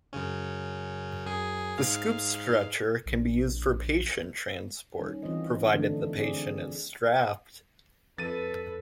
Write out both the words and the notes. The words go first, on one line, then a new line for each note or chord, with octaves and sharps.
The scoop stretcher can be used for patient transport, provided the patient is strapped.
F#2 C#3 C#4
F#2 G#4 G#5
G#2 F5
A#1
D#3 G3 C#4
E3 C4 F4 C5 D#5
D3 F3 A3 D4
C4 G#4 D5
F2 A4 B4 A6 D#7